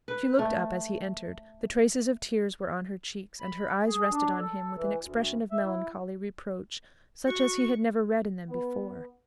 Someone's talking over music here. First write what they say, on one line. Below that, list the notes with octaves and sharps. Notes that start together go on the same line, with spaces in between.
She looked up as he entered: the traces of tears were on her cheeks, and her eyes rested on him with an expression of melancholy reproach such as he had never read in them before.
B4
A3
B5
G#4
D4
A4
E3
D2
E5
E4
F#4 C#6
B3